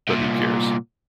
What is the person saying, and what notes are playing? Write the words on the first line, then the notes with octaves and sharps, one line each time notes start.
But who cares?
C2 A#2